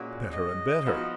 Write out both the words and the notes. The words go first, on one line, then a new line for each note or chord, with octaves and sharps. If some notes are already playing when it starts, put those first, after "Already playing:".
Better and better.
Already playing: A#2 G#3 C#4 F#4
D#5
F3 B3 D#4 F#4